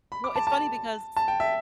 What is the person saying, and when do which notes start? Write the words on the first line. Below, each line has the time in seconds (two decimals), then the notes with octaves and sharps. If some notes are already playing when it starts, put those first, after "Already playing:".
No, it's funny because
0.12 B5
0.24 D6
0.36 A5
0.47 A5
1.17 A5
1.28 G5
1.40 E5